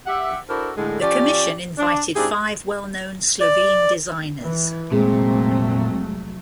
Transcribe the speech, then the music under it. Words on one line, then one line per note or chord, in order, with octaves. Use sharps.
The commission invited five well-known Slovene designers.
G4 E5 F#5
D4 E4 F#4 A4 A#4 C5
A2 D3 G#3
F3 C#4 G4 D5
D4
G#2 C4 D4 E4 G4 G#4
D5
E3
F1 A#2 F#3 G#3 A3 C4 G#4